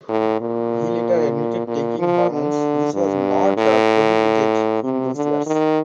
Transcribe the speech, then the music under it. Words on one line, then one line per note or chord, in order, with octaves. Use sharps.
He later admitted taking hormones, which was not prohibited in those years.
A2
A#2
A#2
F3
D3
G2
A2
C3
D3
D#3